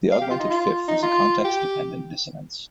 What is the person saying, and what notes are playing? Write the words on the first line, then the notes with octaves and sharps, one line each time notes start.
The augmented fifth is a context-dependent dissonance.
F5
G4
F4
D#4
F4
D#4
F4
G4